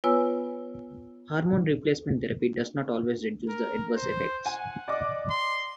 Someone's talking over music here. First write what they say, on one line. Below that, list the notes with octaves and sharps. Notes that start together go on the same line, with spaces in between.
Hormone replacement therapy does not always reduce the adverse effects.
B3 F4 B4 C#5 G#5 E6
A#4
C5
F#5 G#5
D5 D#5 D6
C6